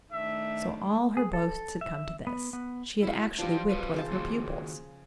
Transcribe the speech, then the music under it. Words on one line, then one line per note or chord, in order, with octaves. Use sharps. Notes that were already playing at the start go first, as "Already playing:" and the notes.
So all her boasts had come to this . . . she had actually whipped one of her pupils.
D#3 A3 D4 E5
G#4
A4
E5
B3
B3
E4 F#4
F3 D4 F4 G4
F#4 G4 B4
C#3 C5 A5
D#3 A#3 F#4